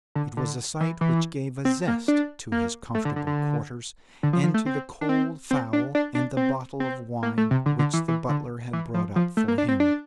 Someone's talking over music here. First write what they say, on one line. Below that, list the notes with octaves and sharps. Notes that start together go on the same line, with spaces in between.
It was a sight which gave a zest to his comfortable quarters, and to the cold fowl and the bottle of wine which the butler had brought up for him.
D3
D3
E3
E3
C4
A#3
D4
A#3
A3
D3
D3
D3
D3
F3
F3
A3
C4
D4
C4
C4
D4
D4
D4
C4
C4
A#3
A3
C3
D3
D3
E3
E3
D3
E3
F3
F3
A3
A#3
D4
C4
D4